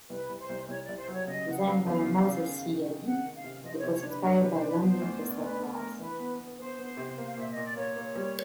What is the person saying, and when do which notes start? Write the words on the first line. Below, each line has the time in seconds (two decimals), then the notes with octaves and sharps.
Designed by Moses C. Edey, it was inspired by London's Crystal Palace.
0.10 C2 B4
0.29 C2
0.39 C5
0.49 C2
0.68 C2 C#5
0.83 D5
0.89 C2
0.98 C5
1.08 F#3
1.13 C#5
1.27 C#3 D#5
1.47 C#3 F#5
1.57 F5
1.67 F#3
1.86 E2 F5
2.06 C#3
2.26 C#3
2.46 D#3
2.65 C3
2.85 D#3
3.05 D#3 F#5
3.24 D#3
3.35 F5
3.44 C3
3.63 F3 D#5
3.71 C5
3.78 C#5
3.83 C3
3.93 C#5
4.03 D4
4.08 B4
4.22 D4 A#4
4.38 C3 B4
4.52 C5
4.62 D4
4.67 B4
4.82 B3 C5
5.01 D2
5.21 B3
5.40 D2 B4
5.60 B3
5.70 A#4
5.80 D2
5.99 E3 B4
6.19 B3
6.38 B3
6.58 B3 C5
6.78 B3
6.97 C3
7.17 A#3
7.26 F5
7.37 A#2 E5
7.51 D#5
7.57 A#2
7.64 D5
7.76 A#3 C#5
7.96 A#3
8.15 G3